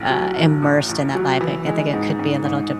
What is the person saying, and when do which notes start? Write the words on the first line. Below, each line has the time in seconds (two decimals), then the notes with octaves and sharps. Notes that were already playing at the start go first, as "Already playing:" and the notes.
uh, immersed in that life, I c I think it could be a little de
Already playing: A1
0.10 F#3
0.36 A1
0.62 A2
0.89 A1
1.15 F#3
1.41 E3
1.67 G#3
1.93 G#2
2.19 G#2
2.45 G#2